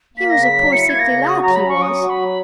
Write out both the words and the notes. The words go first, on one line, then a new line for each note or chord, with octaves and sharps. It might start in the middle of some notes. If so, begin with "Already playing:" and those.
He was a poor sickly lad, he was!
A#3 B6
A#6
C#3
B6
F#3
E4 C#7
A#3 G#6
A#6
C#3
F#4 D#6
F#3 A#5
B5
C#4
C#6
F#3 D#6
F#4
B5
F#3